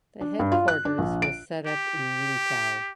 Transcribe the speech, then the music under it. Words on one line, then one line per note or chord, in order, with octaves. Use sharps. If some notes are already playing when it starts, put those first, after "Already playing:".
The headquarters was set up in Yingkou.
D4
G2
F4
F#6
D4
A#1
D7
G4